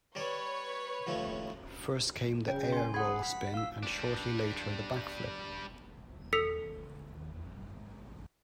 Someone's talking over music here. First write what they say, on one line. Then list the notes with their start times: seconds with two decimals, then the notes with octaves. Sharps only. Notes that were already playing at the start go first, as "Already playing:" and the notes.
First came the Air Roll Spin and shortly later the Blackflip.
0.15 G3 B4 C#5 D5
1.07 D#2 F3 A3
2.48 C#3 G5
2.72 G#5 C6
2.94 G#4 F#5 B5
3.23 B6
3.54 F5 E6
3.83 G3 D4
6.33 A4 E6 B6 C#7 F7